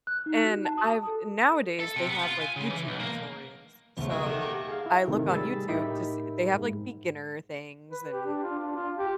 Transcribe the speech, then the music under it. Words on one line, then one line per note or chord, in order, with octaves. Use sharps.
And I've nowadays, they have, like, YouTube tutorials, so I look on YouTube to see they have like beginner things and
F#6
D#4
F#4
A5
D#6
A4
A4
C3
B3
F4
G#5
C#3
E3
B1
A#3
B1 E2 C#3 F3 A3 B3
B2 D#3 F#3 F#4 G#4
D#3 A3 F#4 G4 A#4
A#3
G#4 F5
E4
G#2 C3 D#3 A3
G3 G#4 B5 E6 A6
A2 D#4 G4 A#4 E5 B5
G#2
B4
G4
D4
F4
D4
F4
G4